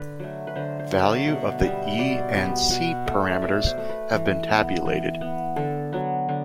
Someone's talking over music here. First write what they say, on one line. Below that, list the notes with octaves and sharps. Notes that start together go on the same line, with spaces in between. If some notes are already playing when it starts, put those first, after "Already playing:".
Value of the "E" and "C" parameters have been tabulated.
Already playing: D3 B4
F#3 A3
B4
D3 C5
C5
F#3 A3
D5
B2 F#5
G3 B3 E5
B2 D5
G3 B3
B2 F#5
A3
D5
B2 E5
C5
A3
B4
E3
B3
E3
B3
D3 A4
F#3 B3
D3